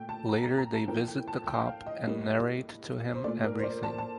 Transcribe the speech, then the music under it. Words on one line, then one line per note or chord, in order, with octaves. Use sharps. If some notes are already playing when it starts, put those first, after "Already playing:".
Later they visit the cop and narrate to him everything.
Already playing: A#2 A3 G5
A5
A#5
A#5
A#5
A5
A2 F3 A#3 G5
G5
A5
G5
F5
D#5
A2 G3 A#3
C5
A#2 A3 D5
A#4
C5
D5
A5
A5